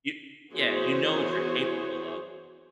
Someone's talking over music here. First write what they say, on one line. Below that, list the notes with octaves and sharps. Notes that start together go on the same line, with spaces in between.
You yeah, you know what you're capable of.
E3 B3 F#4 G#4 C5 C#5